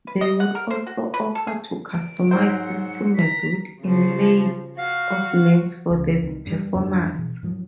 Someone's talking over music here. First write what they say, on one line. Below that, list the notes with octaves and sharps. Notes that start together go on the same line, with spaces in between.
They would also offer to customize instruments with inlays of names for the performers.
B4
D#5
F#5
A#4
C5
F#4
B4
A4
G#4
D7
G#2 F#3 C5
C#7
A#5 B6
C#3 F3
F#4 F5
C#2
C2 D#3
G2 G3
F2 G#2 D3 D4
B2 E3
G#2 F3 F#3